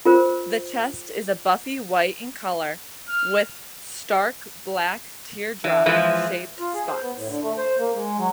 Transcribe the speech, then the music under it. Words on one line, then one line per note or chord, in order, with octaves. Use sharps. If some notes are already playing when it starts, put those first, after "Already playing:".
The chest is a buffy-white in color with stark black teardrop shaped spots.
F4 A#4 C5
F6
E3
E3 F3 G#3
F4
G#4
C5
B3
A2
D3
A3
C5
A#3
G#3
F#3